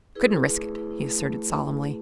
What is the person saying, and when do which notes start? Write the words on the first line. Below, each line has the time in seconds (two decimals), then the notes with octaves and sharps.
"Couldn't risk it," he asserted solemnly.
0.15 E4 G#4 B4
0.31 E4
0.46 A3
0.61 A3
0.75 E4
0.91 E4
1.05 A3
1.21 A3